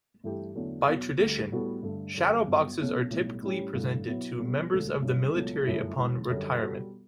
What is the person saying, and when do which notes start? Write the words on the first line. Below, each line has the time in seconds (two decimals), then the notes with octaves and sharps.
By tradition, shadow boxes are typically presented to members of the military upon retirement.
0.24 G2 E3 A3 E4 G4
0.55 E2 D3 F#3 A3 D4
0.87 E2 B2 F#3
1.19 D2 D3 G3
1.52 A2 G3 B3 F#4 A4
1.82 G2 D3 A3
2.14 F#2 D3 G3
2.47 G1 G2 F#3 B3
2.79 B1 B2 A3 C#4
3.10 B1 A2 G3
3.43 A2 G3 C#4 G4
3.74 A1 G2 D3
4.06 B2 F#3 B3 E4
4.38 B1 B2 G3 B3
4.70 E1 D2 D3 F#3
5.02 G1 G2 F#3 C#4
5.34 C#2 B2 F#3 A3
5.65 G1 F#2 D3 A3 E4
5.97 E1 E2 B2
6.30 F#2 D3 G3
6.61 B2 G3 B3 F#4 A4